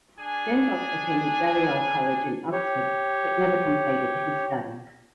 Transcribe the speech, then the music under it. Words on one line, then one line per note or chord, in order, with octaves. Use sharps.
Stenbock attended Balliol College in Oxford but never completed his studies.
D4 G#4 G#5
G4 C#5